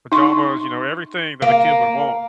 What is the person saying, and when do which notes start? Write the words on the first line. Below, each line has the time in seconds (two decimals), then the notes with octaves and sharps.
pajamas, you know, everything that a kid would want.
0.12 D#4 C6 C#6
1.42 A#3